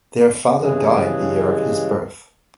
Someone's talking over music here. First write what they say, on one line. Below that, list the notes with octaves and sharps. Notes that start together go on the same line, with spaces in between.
Their father died the year of his birth.
G2 C#3 E3 G#3